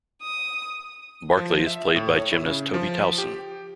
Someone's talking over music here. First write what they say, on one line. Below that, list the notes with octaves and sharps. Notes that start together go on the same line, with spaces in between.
Barkley is played by gymnast Toby Towson.
D#6
F3
E5
A2
C#5
E4
C#3
F3
G4